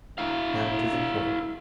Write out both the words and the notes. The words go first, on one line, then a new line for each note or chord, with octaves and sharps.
Now, to the point.
E4 F5